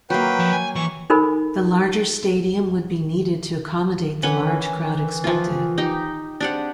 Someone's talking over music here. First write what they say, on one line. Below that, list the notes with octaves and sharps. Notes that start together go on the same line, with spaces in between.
The larger stadium would be needed to accommodate the large crowd expected.
F#3 A#3 B4 G5
F3
G#5
E3 C#6
D#4 A4 A#4 C5 G#5 B5
D#3 E3 C#4 B4 F#5
F3 F4
D#4 G4
C4 D4 G4 G#4 C5 F#5